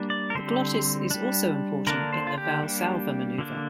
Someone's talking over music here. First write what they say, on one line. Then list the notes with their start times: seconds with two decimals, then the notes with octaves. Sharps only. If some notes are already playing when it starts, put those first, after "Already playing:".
The glottis is also important in the valsalva maneuver.
Already playing: G3 A#3 D4
0.10 D5
0.30 A#4
0.35 D3 G3 C4 C5
1.11 G3 D4
1.87 D3 A#3 D4 A#4
2.13 C5
2.27 F4
2.38 G4
2.63 G3 A#3 D4
3.38 D3 A#3 D4